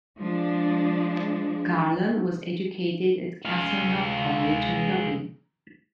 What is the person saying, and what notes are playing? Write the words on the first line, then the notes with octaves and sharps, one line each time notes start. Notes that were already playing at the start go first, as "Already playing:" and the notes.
Garland was educated at Castleknock College in Dublin.
F3 G#3 D4
G#3 F5